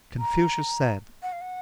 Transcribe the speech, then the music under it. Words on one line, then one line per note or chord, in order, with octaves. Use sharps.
Confucius said.
A#5
F#5
F5
F#5